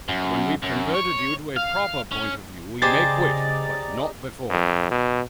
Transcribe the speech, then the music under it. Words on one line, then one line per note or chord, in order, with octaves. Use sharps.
When we've converted you to a proper point of view we may quit, but not before.
F#2
F#2
C#5
F5
C#4
C#3 G4 G#4 C5 D5 D#5 A#5 A6
F2
B2